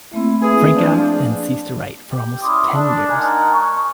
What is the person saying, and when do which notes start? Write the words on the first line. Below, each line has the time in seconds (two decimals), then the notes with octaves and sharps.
Frankau then ceased to write for almost ten years.
0.13 A3 A#3 C4 E4
0.42 G#4 B4
0.76 F3 D4
2.10 G4
2.41 C#4 E4 D5 C6 D6 D#6
2.74 D4
3.09 G#3 D#4 A#4 F#5 G#5 A5
3.52 C#6